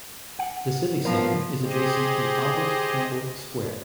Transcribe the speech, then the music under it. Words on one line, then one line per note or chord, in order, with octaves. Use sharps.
The civic centre is adjacent to Albert Campbell Square.
F#5
F3 B3 A#4
G4 G#4 C5 D#5